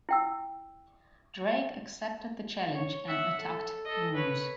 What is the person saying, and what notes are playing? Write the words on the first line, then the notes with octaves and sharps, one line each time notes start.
Drake accepted the challenge and attacked Moose.
E4 G5 E6
C#5
E5 F#5
A4
A4 D#5
B4 C#5